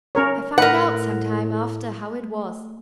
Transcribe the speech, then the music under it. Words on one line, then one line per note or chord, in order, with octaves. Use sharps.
I found out, some time after, how it was.
C#4 A#4 C#5
A2 A#4 B4 F#5
A3